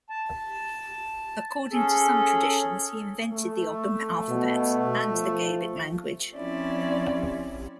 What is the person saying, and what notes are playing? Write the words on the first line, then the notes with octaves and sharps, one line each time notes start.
According to some traditions, he invented the Ogham alphabet and the Gaelic language.
A5
C#4 G#4 A4
A3
B2
F3
F3 C4 C#4 E4 D5